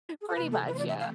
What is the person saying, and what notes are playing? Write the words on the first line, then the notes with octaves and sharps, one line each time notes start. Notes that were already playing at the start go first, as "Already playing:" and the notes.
Pretty much, yeah.
G#4
A4
C3 E3 A3 B4
A4
B4
C5
D5
E5
F5